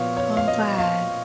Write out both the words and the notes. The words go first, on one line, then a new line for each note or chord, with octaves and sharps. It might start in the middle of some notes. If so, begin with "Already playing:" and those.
Oh, I'm glad.
Already playing: A#2 F3 B3 C#5 F5
C#5
F5
D#5
F5